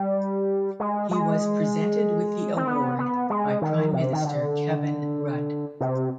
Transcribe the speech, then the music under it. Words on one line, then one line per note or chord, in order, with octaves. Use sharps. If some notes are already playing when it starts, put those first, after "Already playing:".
He was presented with the award by Prime Minister Kevin Rudd.
Already playing: G3
G#3
G#3
C4
B3
B3
G#3
D#3
C3
D#3
D3
C3